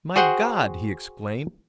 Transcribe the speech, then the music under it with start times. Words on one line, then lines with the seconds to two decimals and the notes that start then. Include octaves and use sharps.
"My God!" he exclaimed.
0.16 F#4 G#4 C5 F#5 G5